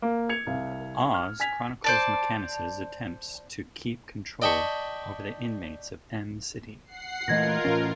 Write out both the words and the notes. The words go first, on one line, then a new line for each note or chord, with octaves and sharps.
"Oz" chronicles McManus' attempts to keep control over the inmates of Em City.
A#3
G#6 C#7 F7
C2 F5
F6
G#5 G#6 B6 F7
C5 D5 A5
D5 D#5 G5 A5 B5 C#6
F#5 C7
A#2 E3 A3 F4 A#4 D#5 G#6 A#6
A2 E3 C#4